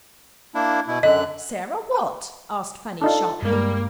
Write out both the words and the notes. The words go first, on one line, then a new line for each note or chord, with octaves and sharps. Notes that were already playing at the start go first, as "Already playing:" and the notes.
'Sarah what?' asked Fanny, sharply.
A#3 D4 E4
B2 E4
F#2 D3 D#5 F#6
D4 D#4 F4 A4
G2 G3 G#3 A#3